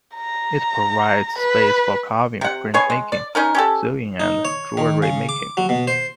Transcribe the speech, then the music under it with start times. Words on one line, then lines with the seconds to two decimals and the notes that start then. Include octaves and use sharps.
It provides space for carving, print making, sewing and jewellery making.
0.15 A#5
1.38 B4
2.41 C3 F#5
2.74 B3 G#4 C#5 G#5
2.90 G#3
3.12 D5
3.35 C#4 D#4 A#4
3.55 C#4 G4 A4
4.20 D#4
4.45 C#5
4.77 D#3
5.02 C#3
5.29 D6
5.57 F#3
5.69 B2
5.87 C5